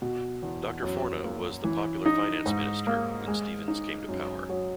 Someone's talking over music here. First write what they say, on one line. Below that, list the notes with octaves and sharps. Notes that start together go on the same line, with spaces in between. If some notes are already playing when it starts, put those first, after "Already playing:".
Doctor Forna was the popular finance minister when Steven's came to power.
B2
E2
F#2
A#3
E3
D#4
G#2
A#3
G#3
D#4
F#2
F#3